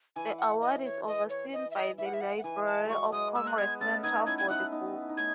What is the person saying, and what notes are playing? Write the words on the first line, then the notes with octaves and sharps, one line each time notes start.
The award is overseen by the Library of Congress Center for the Book.
E3 G#5
F#5
D#5
C#5
D#5
C#5
D#5
E5
D#5
E3 E5
F#5
E5
F#5
F#5
E3 G#5
A5
F#3 G#3 C#6
G#3 D#6
G#3 E6
F#6
G#3 B3 G#6
A3 C#4 A6
B3 D#4 G#6
C#4 E4 G#6
G#6
B3 D#4 F#6
B3 D#4
E4
D#4
A3 C#4 G#6